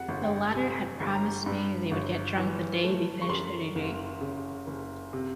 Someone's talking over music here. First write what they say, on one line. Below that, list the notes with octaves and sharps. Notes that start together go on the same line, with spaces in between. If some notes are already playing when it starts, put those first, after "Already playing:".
The latter had promised me they would get drunk the day they finished their degree.
Already playing: F2 F#5
G1
G5
C3 G#5
G1
A#5
G2
G1
E3
A3
C#6
F#2 C6
F#1
C#3
F#1
C3